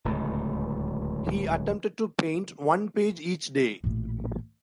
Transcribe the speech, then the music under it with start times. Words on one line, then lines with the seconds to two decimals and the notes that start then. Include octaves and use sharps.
He attempted to paint one page each day.
0.05 D1 C#2 A3
3.84 A1 A#2